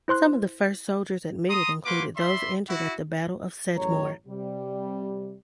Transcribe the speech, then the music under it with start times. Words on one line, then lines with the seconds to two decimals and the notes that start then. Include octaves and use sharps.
Some of the first soldiers admitted included those injured at the Battle of Sedgemoor.
0.08 E4 C5 C6 F#6
1.49 A#5 C6 D#6
1.85 A#3 F#4 B4 C6 D6
2.16 D5 E5 B5 C6
2.68 E4 F#4
3.76 A1 F#2 C#5 A#5
4.27 C3 G3